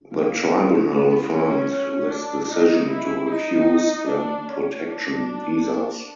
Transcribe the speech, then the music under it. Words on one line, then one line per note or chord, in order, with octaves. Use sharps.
The Tribunal affirmed this decision to refuse them protection visas.
A#3
B3
B3
C#4
D4
D#4
E4
D#4
D4
C#4
D4